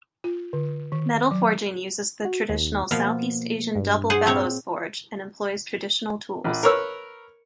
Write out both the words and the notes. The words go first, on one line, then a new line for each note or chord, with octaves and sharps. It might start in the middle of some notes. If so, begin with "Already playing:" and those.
Metal forging uses the traditional Southeast Asian double-bellows forge, and employs traditional tools.
F4
D3
D#3
F#3
F#4
D#2
B2 F3 A#3 F4
G2
G#4 C5 F#5
A#2 C4 C#5
A#1
A#4 B4 C#5 E6